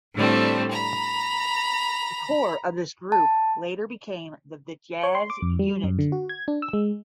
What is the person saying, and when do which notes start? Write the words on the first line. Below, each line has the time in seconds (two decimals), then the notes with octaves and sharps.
The core of this group later became the ""Vityaz"" unit.
0.14 A2 D3 G3 A3 C4
0.71 A#5 B5
3.12 A5
5.03 C#5
5.15 C6
5.30 D6
5.42 F2
5.59 G3
5.84 F#2
5.99 D3
6.12 F#4
6.29 G#6
6.48 D4
6.62 E6
6.73 G#3